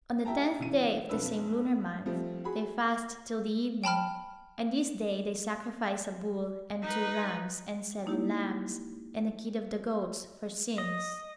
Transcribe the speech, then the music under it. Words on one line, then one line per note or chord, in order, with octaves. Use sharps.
On the tenth day of the same lunar month, they fast till the evening; and this day they sacrifice a bull, and two rams, and seven lambs, and a kid of the goats, for sins.
G4 E5 G5 A5 A#5
C#3 E3 D#7
B1 F2 B3 D4 B4 E6
F3 G3 A3 C4
F#4 G#4 B5
G5 A5 B5 F6
D#4 B4
G#3 A#3 D#4 E4 G4
D#5